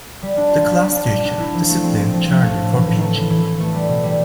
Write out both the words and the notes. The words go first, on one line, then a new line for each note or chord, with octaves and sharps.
The classteacher disciplined Charlie for pinching.
G3
D4
F4
G3
G3
D4
G3
D4
E4
F3
A3
C4
C4
F3
F3
A3
A2
E3
A2
A3
E3
E3
E3
A3
G3
B2
G3